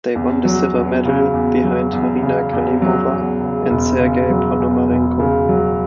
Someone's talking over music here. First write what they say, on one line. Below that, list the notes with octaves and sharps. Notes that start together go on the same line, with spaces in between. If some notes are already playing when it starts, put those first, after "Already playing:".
They won the silver medal behind Marina Klimova and Sergei Ponomarenko.
E2
F#3
E2
C#3
E2
F#3
E2
C#3
E2
F#3
E2
C#3
E1
C#3
F#3
E2
E1
C#3
F#3